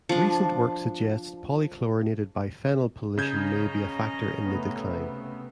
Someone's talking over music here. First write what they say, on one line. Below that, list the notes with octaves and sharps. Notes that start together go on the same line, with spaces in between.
Recent work suggests polychlorinated biphenyl pollution may be a factor in the decline.
F3 D4
C#3 C#4 D#5 A#5 G6 G#6
C3 A3 B3